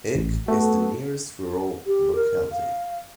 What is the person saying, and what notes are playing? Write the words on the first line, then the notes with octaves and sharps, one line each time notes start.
Ik is the nearest rural locality.
A1
A3 B3 F#4 A4
G4
A#4
F5